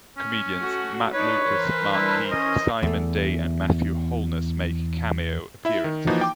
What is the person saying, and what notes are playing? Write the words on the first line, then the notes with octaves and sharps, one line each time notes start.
Comedians Matt Lucas, Mark Heap, Simon Day and Matthew Holness make cameo appearances.
C#4
A3 F#4
D4 D#4 B4 C#5
E3 A#4 C5
G3 D4 E4 B4
C#4 D#5
E2 A3
E4 E5
D#3
E3 F3 A#3 D#4 F#4
G5 D6